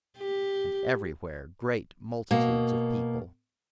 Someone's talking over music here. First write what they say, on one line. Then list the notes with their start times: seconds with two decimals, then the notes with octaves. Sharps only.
And everywhere great multitudes of people.
0.18 G4
2.31 B2 A#3